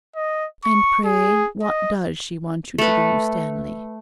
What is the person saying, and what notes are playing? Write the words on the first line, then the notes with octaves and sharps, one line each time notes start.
'And pray, what does she want you to do, Stanley?'
D#5
C#6
G#4
D#5
A3 B4